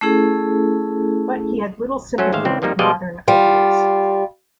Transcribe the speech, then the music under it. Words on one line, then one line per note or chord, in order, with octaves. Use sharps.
But he had little sympathy with modern ideas.
A3 C#4 E4 G#4 A4
F#3 A3 C#4 C5
A1 D#2 G#3 C5 E5 F5
C#2 C4 D5
F2 F3 G3 A#3 D#4
B2 G3 G#3 D5 D#5 F5
G3 F4